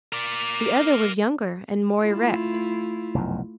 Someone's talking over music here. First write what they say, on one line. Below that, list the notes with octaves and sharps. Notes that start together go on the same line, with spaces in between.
The other was younger and more erect.
A#4 D5
A3 E4 F4
F1 B1 F#2